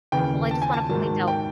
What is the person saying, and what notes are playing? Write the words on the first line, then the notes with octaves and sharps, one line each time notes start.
well, I just wanna point out
D#2 C#3 E3 G5
A5
G#5
A5
G#2 D#3 F#3 A5
G5